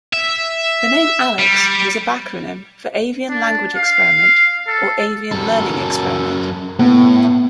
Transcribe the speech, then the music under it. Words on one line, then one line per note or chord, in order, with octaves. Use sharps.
The name "Alex" was a backronym for "avian language experiment", or "avian learning experiment".
E5
G3
D4
F5
A4
F#2 A4
A2 B3